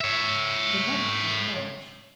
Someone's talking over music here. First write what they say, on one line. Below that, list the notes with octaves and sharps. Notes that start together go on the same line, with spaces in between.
The month was March.
C#5 E5